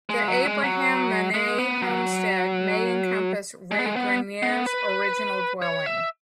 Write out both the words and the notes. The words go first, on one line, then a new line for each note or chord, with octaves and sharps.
The Abraham Manee Homestead may encompass Regrenier's original dwelling.
G#3
F#3
G#3
F#3
G#3
B3
F#3
G#3
B3
G#3
B3
B3
B4
C#5
E5